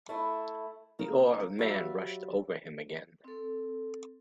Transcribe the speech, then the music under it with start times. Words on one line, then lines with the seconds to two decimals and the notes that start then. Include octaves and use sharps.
The awe of man rushed over him again.
0.09 A3 E4
0.99 C#3 A#3
1.59 F#3 G3 E5 F5
3.24 C4 A4